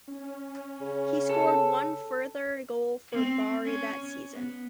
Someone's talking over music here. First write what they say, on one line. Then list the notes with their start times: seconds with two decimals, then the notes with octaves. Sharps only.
He scored one further goal for Bari that season.
0.08 C#4
0.81 C#3
1.29 A4
3.12 C4
3.65 C#4
4.31 B3